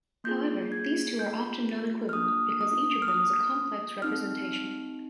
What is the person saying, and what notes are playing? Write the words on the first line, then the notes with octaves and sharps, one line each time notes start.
However, these two are often non-equivalent, because each of them is a complex representation.
A#3 F4 G#4 G6
G#6
G6
F6
A#3 D4 F4 D#6
D#6
F6
D#6
C4 D#4 G4 F6